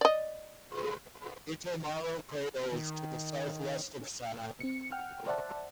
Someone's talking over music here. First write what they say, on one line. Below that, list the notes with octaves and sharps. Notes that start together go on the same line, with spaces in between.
Hitomaro crater is to the southwest of Sanai.
D5 D#5
D#3
C4 C#7
F#5 G5 F6
C5 D5 E5 F#5 A5